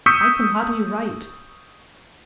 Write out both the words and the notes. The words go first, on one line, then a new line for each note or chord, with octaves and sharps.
I can hardly write.
C#6 D#6 E6 G6 B6 C#7